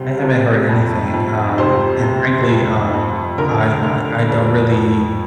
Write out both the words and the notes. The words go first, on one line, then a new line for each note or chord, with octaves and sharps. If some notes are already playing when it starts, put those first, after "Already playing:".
I haven't heard anything, um, and frankly, um, I I I don't really
Already playing: C2 C3
C3
F2
F2
C3 C5
C3
F2
F2
D3 A#4
D3
F2
F2